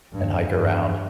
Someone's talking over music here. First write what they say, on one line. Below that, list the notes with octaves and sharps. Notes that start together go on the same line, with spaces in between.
and hike around.
G2
G2